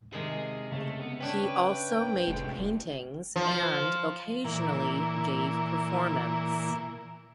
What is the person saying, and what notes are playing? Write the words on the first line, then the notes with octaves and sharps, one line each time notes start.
He also made paintings and occasionally gave performance.
C3 D#3 G#3 G#4
C#3 A3
B3
C#4 D4 E4 B4 G5
F1 D2 G#3
F3
A#2 E3